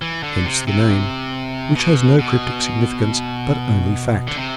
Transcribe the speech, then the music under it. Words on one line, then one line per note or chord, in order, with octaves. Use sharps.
Hence the name, which has no cryptic significance, but only fact.
E3
D3
C3
C3
B2
B2
D3
C3